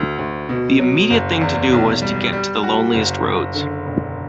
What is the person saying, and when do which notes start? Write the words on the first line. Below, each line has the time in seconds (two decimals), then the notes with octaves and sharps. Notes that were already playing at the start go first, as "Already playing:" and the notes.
The immediate thing to do was to get to the loneliest roads.
Already playing: D2 F#4
0.18 D2
0.49 B2
0.79 F#3
1.10 F#1
1.41 E2
1.72 B1
2.02 G3
2.33 G3
2.63 F#4
2.94 F#1
3.25 F#1
3.55 D3
3.86 E1